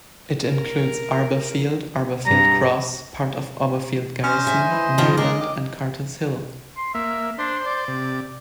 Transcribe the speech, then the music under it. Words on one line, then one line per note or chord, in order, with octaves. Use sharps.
It includes Arborfield, Arborfield Cross, part of Arborfield Garrison, Newland and Carter's Hill.
A#4
G2 A#5
C#4 C5 D#5
E5 G#5
E3
B2 D#3 F3
G#3 A#4 D5 D#5
D#3 D6
C6
A#3 E5
D4 C5 C6
D5
C3